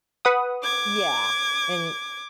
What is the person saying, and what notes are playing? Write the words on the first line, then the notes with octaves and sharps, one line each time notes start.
Yeah, and,
B4 F#5 D#6
D6 G#6